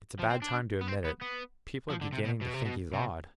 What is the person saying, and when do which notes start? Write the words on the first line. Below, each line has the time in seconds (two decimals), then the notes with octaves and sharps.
"It's a bad time to admit it--people are beginning to think he's odd."
0.19 F3
0.30 C4
0.42 D4
0.81 B3
0.88 C4
1.05 B3
1.22 B3
1.90 F3
2.02 D3
2.13 C3
2.25 B2
2.42 B2
2.54 C3
2.65 B2
2.93 C3